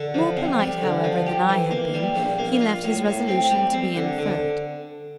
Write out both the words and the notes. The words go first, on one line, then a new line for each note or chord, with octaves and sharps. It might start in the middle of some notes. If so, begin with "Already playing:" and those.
More polite, however, than I had been, he left his resolution to be inferred.
Already playing: D3
F3
C3
G3
D3
F3
G4
E3
A#3
G3
A#1
A#3
F4
A2
A2
C4
G3
C4
D3
D3